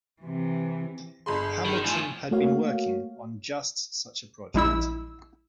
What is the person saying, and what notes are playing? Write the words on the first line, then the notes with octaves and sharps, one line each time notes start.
Hamilton had been working on just such a project.
C3 E3
G1 G#4 B5 C6
D#3
A2 F3 G#5
A3 A#3 F#4 C#5 F5
A#1 G#3 E4 E6